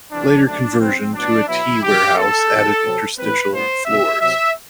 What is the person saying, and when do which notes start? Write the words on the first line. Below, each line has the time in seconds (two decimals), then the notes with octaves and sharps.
Later conversion to a tea warehouse added interstitial floors.
0.12 E2 C3 E3 G3 C4 D4
0.45 F#2 D3 A3 C4 D4
0.79 E2 B2 G3 B3 C4
1.14 A2 F#3 B3 D4
1.47 B2 F#3 B3 E4
1.82 C3 E3 G3 G4
2.15 F#2 F#3 B3 A4
2.50 E2 C3 G3
2.84 C3 F#3 C4
3.18 A2 E3 G3 C4 B4
3.52 A2 G3 B3 C5
3.86 C3 F#3 B3 E5
4.20 C3 F#3 C4 E5